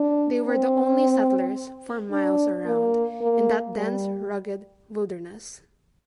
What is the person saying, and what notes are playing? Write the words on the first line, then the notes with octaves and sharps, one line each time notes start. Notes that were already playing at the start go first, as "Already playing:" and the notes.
They were the only settlers, for miles around, in that dense, rugged wilderness.
Already playing: D4
C4
D4
A#3
A#3
G3